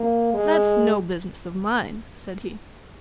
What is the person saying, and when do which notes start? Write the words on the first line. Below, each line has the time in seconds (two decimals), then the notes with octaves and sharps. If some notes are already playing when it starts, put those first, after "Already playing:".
"That's no business of mine," said he.
Already playing: A#3
0.34 G#3